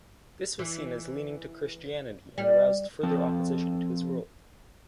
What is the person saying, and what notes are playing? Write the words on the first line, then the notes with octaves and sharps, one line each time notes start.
This was seen as leaning to Christianity and aroused further opposition to his rule.
E3
G3
F3 C4 A4